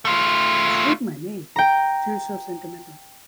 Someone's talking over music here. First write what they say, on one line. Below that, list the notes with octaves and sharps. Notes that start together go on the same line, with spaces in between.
I hate my name, too — so sentimental!
A3 F4
G5 A#5